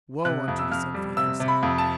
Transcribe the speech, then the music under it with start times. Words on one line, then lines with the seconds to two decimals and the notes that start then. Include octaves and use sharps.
Woe unto this unfaithful city!
0.25 C3 F#6
0.48 F2
0.59 E6
0.71 F2 F6
0.94 G3
1.17 C3 E6
1.40 C3
1.48 B5
1.63 F2
1.78 A5